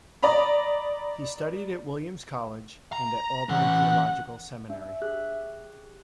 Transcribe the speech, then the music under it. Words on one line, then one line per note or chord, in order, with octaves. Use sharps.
He studied at Williams College and at Auburn Theological Seminary.
D5 D#5 A#5 B5
A#5
E3 C#4 F#5
D4 E5
G4 G#4 F#6